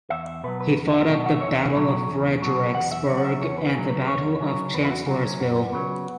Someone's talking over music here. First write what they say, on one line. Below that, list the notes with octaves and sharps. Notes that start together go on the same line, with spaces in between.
He fought at the Battle of Fredericksburg and the Battle of Chancellorsville.
E2 E5
E5
B2 F#3 B4
B4
E2
E5
B2 F#3
F#5
E5
E2 C#5
E5
B2 F#3
E2
B2 F#3
E2 F#5
E5
C#3 F#3 C#5
F#5
E5
E2 C#5
B4
C#3 F#3 G#4
B4
E2 C#5
C#3 F#3
E2 B4
E4
F#4
C#3 F#3 F#4
C#4
F#2 B3
C#3 F#3